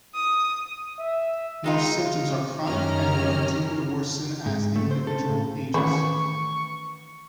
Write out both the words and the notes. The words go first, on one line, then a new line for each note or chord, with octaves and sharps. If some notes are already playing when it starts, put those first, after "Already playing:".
Most symptoms are chronic and will continue to worsen as the individual ages.
D#6
E5
G#3 D#4 F4
F#2 D#3 C#4 G4 A#5 F6
G#2
A3
C5
A4
A2
D#3 E3 A3 B3 C#4 B4 C#6